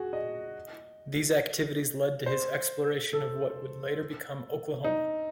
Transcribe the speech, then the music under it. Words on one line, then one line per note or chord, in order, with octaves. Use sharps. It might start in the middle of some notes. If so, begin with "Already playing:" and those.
These activities led to his exploration of what would later become Oklahoma.
Already playing: F#4 G#4
D#5
C5
A4
D#4